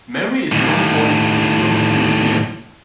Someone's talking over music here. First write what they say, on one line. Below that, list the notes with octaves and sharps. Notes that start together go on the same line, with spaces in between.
Mary is known for its Regional Museum.
D#2 A2